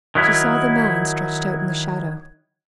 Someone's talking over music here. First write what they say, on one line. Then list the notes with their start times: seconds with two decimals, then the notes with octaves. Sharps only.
She saw the man stretched out in the shadow.
0.15 D#3 F#3 E4